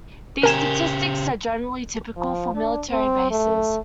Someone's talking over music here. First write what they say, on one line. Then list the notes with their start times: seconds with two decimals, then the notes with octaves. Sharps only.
These statistics are generally typical for military bases.
0.43 C#3 G4 A#4 G#5 E7
2.16 F3
2.54 D4
2.89 C4
3.31 A3